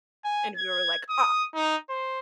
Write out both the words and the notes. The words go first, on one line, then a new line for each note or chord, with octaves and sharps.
And we were like, "Ah."
G#5
G#6
D#6
D#4
C5